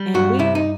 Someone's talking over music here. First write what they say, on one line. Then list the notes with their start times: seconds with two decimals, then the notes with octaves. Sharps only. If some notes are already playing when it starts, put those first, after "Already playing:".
and we
Already playing: G3
0.14 G2 F#4
0.39 C3 E4
0.55 D#4